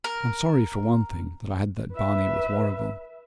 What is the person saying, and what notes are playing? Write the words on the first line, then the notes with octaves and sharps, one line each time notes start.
I'm sorry, for one thing, that I had that barney with Warrigal.
A#4
B4 E5